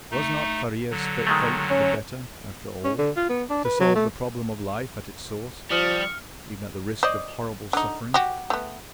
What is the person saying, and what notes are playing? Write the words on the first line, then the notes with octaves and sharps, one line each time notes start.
Was not Faria's fate the better, after all--to solve the problem of life at its source, even at the risk of horrible suffering?
A3 D#4
D3 F#3
D#3 G#3 A3
C#4
C#4
D3
F4
B3
D4
B4
F#3
A3
F3 G3 C#6 D#6 F6
C5 D5 D#5
D3 D#4
F#4 G4
A3 B3